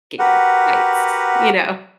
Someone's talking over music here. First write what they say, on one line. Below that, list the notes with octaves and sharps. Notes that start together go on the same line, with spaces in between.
gator bites, you know?
F#4 G4 A#4 B4 F#5